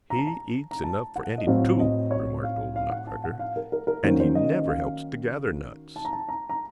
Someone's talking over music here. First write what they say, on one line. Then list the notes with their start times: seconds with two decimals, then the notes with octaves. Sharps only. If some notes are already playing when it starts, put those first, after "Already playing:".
"He eats enough for any two," remarked old Nutcracker, "and he never helps to gather nuts."
0.10 A#5
0.19 A5
0.27 A#5
0.71 A#5
0.84 A5
1.16 F#5
1.38 D#5
1.47 A2 F#3 C4 F5
1.80 D#5
2.11 C#5
2.44 F5
2.76 F5
2.91 F#5
3.07 A5
3.24 F#5
3.39 F5
3.56 A#4
3.72 A#4
3.87 A#4
4.03 D#3 F#3 A#3 C#4 C5
4.20 C5
4.35 D#5
4.52 D#5
4.68 F5
5.96 A5
6.05 A#5
6.13 A5
6.29 A#5
6.49 A#5